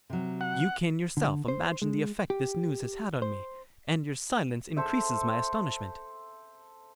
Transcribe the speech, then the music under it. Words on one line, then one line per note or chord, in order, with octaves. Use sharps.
You can yourself imagine the effect this news has had on me, and your silence increases my astonishment.
C3 F#3
F#5
D3
C5
G#3
G4
C5
A4 C5 E5